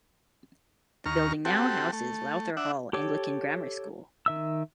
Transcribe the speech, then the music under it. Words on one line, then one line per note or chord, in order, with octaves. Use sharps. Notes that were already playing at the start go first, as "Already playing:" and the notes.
The building now houses Lowther Hall Anglican Grammar School.
D#2 A#5 C#6 F6
C4 F#4 G4 A4
A3
D4 E5 F#5
G4 A4 C#5 D6
D#3 E5 E6